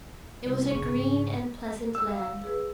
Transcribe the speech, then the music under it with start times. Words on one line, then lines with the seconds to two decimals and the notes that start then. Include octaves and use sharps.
It was a green and pleasant land.
0.46 C2
0.71 F#1 B1 C#3 C#6
0.85 G#2
1.95 C#6 E6
2.08 E5 F5
2.44 G#4 B4